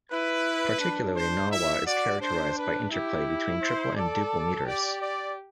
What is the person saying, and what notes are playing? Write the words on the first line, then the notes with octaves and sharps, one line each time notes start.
Particularly Gnawa is characterized by interplay between triple and duple meters.
E4 B4
D4
C5
E4 E5
F#4 D5
D4 C5
B4
E4 G4
C5
A4 D5
G4 D5
D5